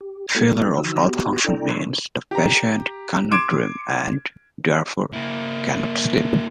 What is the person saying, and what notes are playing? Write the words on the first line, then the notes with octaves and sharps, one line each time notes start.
Failure of alpha-function means the patient cannot dream and therefore cannot sleep.
G4
G#3 A#3 B3 E4 F#4 A4
D3 E3 F3 D#4 F#4 E6
B3 F#4 G4
D4 E4 A4 D5 G5 A#5
G4 A#5
C6 D6 G#6 D7 E7
A#3 E4